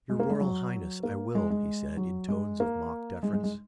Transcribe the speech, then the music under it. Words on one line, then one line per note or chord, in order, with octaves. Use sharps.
"Your Royal Highness, I will," he said, in tones of mock deference.
G#3
A#3
G#3
F#3
A#3
G#3
G#3
F#3
G#3
A#3
G#3
G#3
G#3